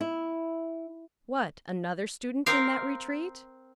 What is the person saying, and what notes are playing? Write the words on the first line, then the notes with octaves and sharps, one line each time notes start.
"What--another student in that retreat?"
E4
C4 A#4 F5